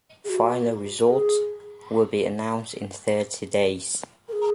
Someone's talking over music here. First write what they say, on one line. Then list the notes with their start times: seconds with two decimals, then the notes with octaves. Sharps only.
Final results will be announced in thirty days.
0.25 G#4
0.29 F#4
1.06 A#4
1.10 G#4
4.29 A#4
4.33 G#4